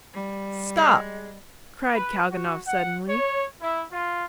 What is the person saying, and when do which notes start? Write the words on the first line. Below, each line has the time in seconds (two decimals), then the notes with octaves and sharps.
"Stop!" cried Kalganov suddenly.
0.14 G3
0.77 G#3
1.92 B4
2.30 F#4
2.66 F#5
3.06 C#5
3.60 E4
3.91 F4